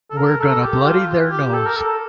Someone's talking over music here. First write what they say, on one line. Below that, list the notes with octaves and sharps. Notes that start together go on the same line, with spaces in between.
We're gonna bloody their nose!
A4
A#4
A4
G4
F4
G4
A4
A#4
A4